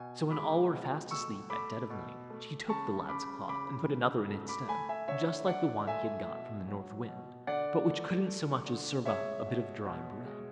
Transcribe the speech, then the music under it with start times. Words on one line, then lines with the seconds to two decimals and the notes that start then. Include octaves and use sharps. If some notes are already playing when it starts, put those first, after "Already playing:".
So, when all were fast asleep at dead of night, she took the lad's cloth, and put another in its stead, just like the one he had got from the North Wind, but which couldn't so much as serve up a bit of dry bread.
Already playing: B2 G#5
0.31 G#3 B5 D6
0.71 B2
1.11 A3 C#6 E6
1.50 A3 B5 D6
1.90 B2
2.30 A3
2.69 C#3 A5 C#6
3.09 C#3 B5 D6
3.49 C#3 B5 D6
3.89 C#3
4.29 A3
4.48 B5 D6
4.68 A3 G#5 B5
4.89 E5 G#5
5.08 D3 C#5 E5
5.48 A3 D5 F#5
5.87 A3 E5 G#5
6.27 B2
6.68 F#3
7.08 B2
7.47 D3 D5 F#5
7.86 A3
8.26 A3
8.67 D3
9.05 G#3 C#5 E5
9.46 B2
9.85 B2
10.25 G#3